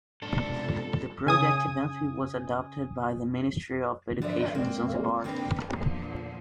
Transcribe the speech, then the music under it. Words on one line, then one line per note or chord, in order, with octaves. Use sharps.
The project eventually was adopted by the Ministry of Education in Zanzibar.
B1 E2 G#2 C3 D4 F4 A4
C#3 G#5 D#6
D3 F3 D5 E5
G#3 A#3 C4
D#3 A#3 C4 D4 A4 B4
E2 A#2 D3 F3